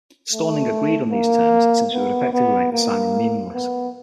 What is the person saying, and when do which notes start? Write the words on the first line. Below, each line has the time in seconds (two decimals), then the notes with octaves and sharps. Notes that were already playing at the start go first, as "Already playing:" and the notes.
Stauning agreed on these terms, since it would effectively make the signing meaningless.
0.33 A3
1.12 A#3
1.93 B3
2.33 B3
2.73 A#3
3.54 B3